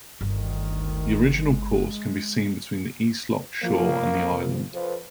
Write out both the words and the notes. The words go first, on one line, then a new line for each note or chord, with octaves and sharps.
The original course can be seen between the east loch shore and the island.
G1 D2 D#3
G#3
F3 A#3 F4
C3 F3
F3 A4 B4